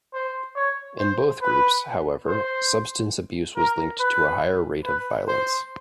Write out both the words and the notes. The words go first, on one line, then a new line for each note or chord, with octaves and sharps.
In both groups, however, substance abuse was linked to a higher rate of violence.
C5
C#5
C5
B4
C5
A#4
B4
B4
C5